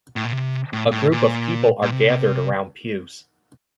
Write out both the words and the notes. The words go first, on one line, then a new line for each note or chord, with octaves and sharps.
A group of people are gathered around pews.
A2
A#2
C3
A2
A2
A#2
A#2
C3